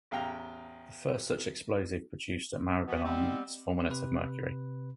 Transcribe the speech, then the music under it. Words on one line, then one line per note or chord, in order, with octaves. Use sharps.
The first such explosive produced at Maribyrnong was fulminate of mercury.
A1 E2 F5 G5 A#5
B2 E3 B3
G3 G#3 B3 C4
C3 B4